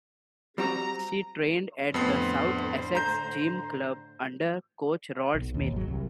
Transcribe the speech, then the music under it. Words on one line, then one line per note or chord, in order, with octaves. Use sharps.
She trained at the South Essex Gym Club under coach Rod Smith.
G3 C4 F#4 A#5
F2 A2 D3 B3 C5 C7
A#5 G6
B1
D#2
G#1 F#3
C2